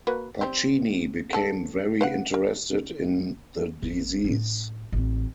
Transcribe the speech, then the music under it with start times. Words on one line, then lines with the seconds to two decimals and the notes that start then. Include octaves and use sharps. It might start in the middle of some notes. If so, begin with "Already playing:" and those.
Pacini became very interested in the disease.
0.07 A#3 F#4 B4
0.41 G3 C4
1.33 D3 A4
2.01 B4 F5 F#5
2.34 A#4
3.82 G#1
4.24 A2 C#4
4.92 A1 C4